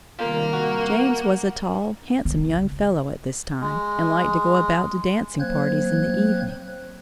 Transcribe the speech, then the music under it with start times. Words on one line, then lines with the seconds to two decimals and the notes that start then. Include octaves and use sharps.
James was a tall, handsome young fellow at this time, and liked to go about to dancing-parties in the evening.
0.19 C3 D#3 G3 A#3 F4
0.53 F#4 F#5
2.25 C#3
3.61 G#3
5.39 F#3 A#3 C4 C5 F#6 G#6